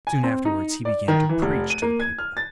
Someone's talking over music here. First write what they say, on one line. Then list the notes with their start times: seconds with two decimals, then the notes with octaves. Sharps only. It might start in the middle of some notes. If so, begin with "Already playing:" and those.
Soon afterwards he began to preach to the people.
0.07 G#5
0.23 C4
0.45 D#4
0.85 D5
1.08 D#3
1.29 E3
1.42 F1
1.70 D#7
1.82 A#3
2.00 G#6
2.19 F6
2.37 A6